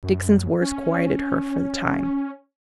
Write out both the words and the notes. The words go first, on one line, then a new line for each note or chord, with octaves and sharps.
Dixon's words quieted her for the time.
F#2
C#4